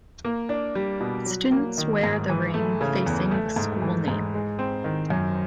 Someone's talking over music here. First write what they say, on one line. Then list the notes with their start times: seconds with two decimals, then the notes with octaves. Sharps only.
Students wear the ring facing the school name.
0.25 A#3
0.49 D4
0.75 G3
1.00 B2
1.26 F#3
1.52 A#3
1.78 D#3
2.03 G#2
2.29 E3
2.54 A3
2.81 C#3
3.06 E2
3.31 A3
3.56 G#2
3.82 E3
4.08 G#2
4.34 G#3
4.59 C4
4.84 D#3
5.10 F#2